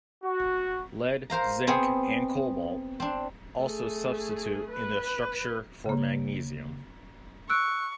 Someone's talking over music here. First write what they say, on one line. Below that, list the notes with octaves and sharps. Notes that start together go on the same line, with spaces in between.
Lead, zinc, and cobalt also substitute in the structure for magnesium.
F#4
A#4 C5 F5 A#5
B3 C4 G#4
C4 D4
A3 G#4
B4
C#3 A#3
C#6 E6 F#6 D7